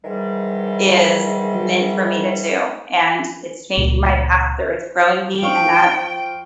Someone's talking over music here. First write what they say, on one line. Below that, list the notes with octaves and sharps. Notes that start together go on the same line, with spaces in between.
is meant for me to do, and it's changing my path or it's growing me, and that's
G#2 D#3 E3 G3
C#2 A#2
F3 F5 G5 C#6